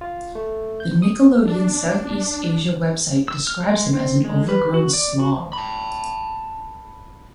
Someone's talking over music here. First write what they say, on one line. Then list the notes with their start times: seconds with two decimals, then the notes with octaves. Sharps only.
The Nickelodeon South East Asia website describes him as an overgrown slob.
0.01 F4
0.35 A3
0.80 G6
1.02 D#6
1.45 D4
3.28 E6
3.47 F6
3.64 G#3
3.93 C4
4.24 G#3
4.49 B4
4.74 F#4
4.93 D5
5.19 F#4
5.53 A5 B5